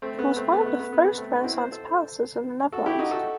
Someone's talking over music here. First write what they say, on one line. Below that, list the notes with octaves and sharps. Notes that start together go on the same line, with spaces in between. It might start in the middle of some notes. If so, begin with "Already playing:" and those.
It was one of the first Renaissance palaces in the Netherlands.
A3 C4
B3
A3 C4
B3
A3
B3
B3
B3
B3
A3 C4
B3 D#4
F#4
C4 E4
C5
A4 C5
F#4 A4
E4 G4
D#4 F#4
F#4 A4